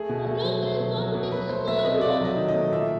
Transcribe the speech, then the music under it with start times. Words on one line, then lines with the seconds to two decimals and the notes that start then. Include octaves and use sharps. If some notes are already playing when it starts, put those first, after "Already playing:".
The local public school was good.
Already playing: A3 G#4
0.09 B2
0.27 A3
0.44 F#3
0.63 A3
0.80 B2
0.97 F#3
1.15 B2
1.31 F#3 B4
1.49 A3 C5
1.68 A3 E5
1.84 C3 D#5
2.01 C3 D5
2.20 F#3 D#5
2.36 D#3
2.48 D#5
2.54 A3
2.72 A#2 E5